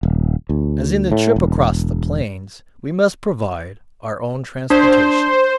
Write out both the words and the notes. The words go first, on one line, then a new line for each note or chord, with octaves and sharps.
As in the trip across the Plains, we must provide our own transportation.
D#1
D2
A2
E1
D4 C5